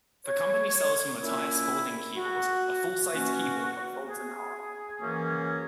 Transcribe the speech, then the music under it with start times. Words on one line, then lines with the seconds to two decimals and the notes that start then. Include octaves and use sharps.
The company sells the Matias Folding Keyboard, a full-sized keyboard that folds in half.
0.27 C#5
1.21 A#2 A#3 C#4 E4
2.16 F#4
3.10 B2 A#3 C#4 F#4
4.05 G#4
5.00 F#2 E3 A#3 C#4